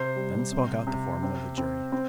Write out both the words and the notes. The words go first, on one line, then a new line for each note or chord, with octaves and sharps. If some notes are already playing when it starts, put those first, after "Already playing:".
Then spoke out the foreman of the jury.
Already playing: C3 C5
G3
C3
C3
C4
C4
C4